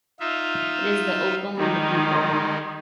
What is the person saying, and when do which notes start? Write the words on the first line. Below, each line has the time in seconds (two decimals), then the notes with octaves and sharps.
It is the opium of the people.
0.20 D#4 F4 E5
1.57 D#3 G3 G#3 D#4